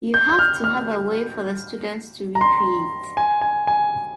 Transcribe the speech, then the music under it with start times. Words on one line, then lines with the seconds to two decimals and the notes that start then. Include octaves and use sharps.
You have to have a way for the students to recreate.
0.14 G6
0.29 G6
0.39 F6
0.64 F6
2.35 A#5
2.41 C6
3.17 G#5
3.41 G#5
3.67 G#5